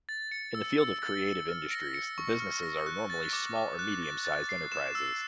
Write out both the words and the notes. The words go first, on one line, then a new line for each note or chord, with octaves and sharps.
In the field of creative industries, the businesses are normally small or medium-sized enterprises.
A6
C#7
E6
E6
A6
C#7
F6
A#6
C#7
C#6
F6
A#6
F#6
A6
D6
D6
F#6
A6
A6
C7
E7
E6